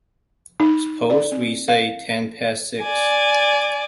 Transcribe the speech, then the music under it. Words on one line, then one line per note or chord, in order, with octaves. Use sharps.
Suppose we say ten past six!
D#4
D5
C4
F5
D5 G#5